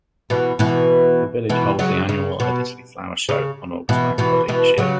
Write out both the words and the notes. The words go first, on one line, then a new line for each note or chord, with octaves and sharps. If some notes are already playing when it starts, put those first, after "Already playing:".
The village holds the annual Eardisley Flower Show on August Bank Holiday each year.
B2 E3
B2 E3
B2 E3
C#3 F#3
C#3
B2
C#3
B2 E3
B2 E3
B2 E3
C#3 F#3